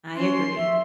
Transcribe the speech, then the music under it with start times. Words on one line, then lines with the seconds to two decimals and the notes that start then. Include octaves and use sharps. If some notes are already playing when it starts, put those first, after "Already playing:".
I agree.
0.16 C#4 C6
0.56 E5